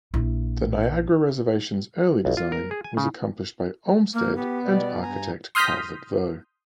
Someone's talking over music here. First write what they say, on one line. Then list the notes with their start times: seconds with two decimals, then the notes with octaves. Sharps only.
The Niagara Reservation's early design was accomplished by Olmsted and architect Calvert Vaux.
0.14 A#1 E4
2.25 B1
2.37 F4
2.52 A#4
2.71 G#4
2.84 G#5
2.97 C#3
4.13 A#3
4.35 B3 G4
4.66 B2 G3 D5
5.01 G2 G#5 A#5
5.55 C6 D#6 F6 G6 A#6 B6